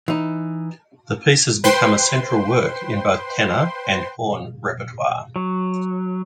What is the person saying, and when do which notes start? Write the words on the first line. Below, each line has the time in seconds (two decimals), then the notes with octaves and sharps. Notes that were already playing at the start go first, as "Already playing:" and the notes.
The piece has become a central work in both tenor and horn repertoire.
0.08 E3 D#4
1.64 B4 C5 G5 C6
5.36 F#3